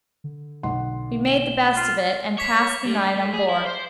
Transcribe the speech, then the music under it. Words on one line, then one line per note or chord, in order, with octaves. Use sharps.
We made the best of it, and passed the night on board.
D3
B1 F#5 C6
E7 F#7 G7
F4
C#5 D6 B6 C7
G2 G3
A2
G#4
E4
C5